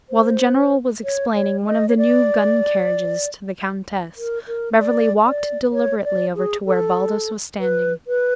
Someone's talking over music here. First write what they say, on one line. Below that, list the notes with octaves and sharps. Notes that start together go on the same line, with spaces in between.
While the general was explaining one of the new gun-carriages to the countess, Beverly walked deliberately over to where Baldos was standing.
C5
C#5
C#5
D#5
C#5
D5
A#4
A#4
D5
D5
C#5
D5
G#4
A4
B4
B4